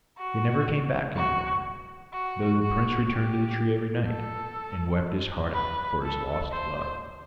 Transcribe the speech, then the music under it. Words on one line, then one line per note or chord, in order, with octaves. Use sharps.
They never came back any more, though the prince returned to the tree every night, and wept his heart out for his lost love.
F#4
F#4
F#4
F#4
G4
A4
B4
A4
C5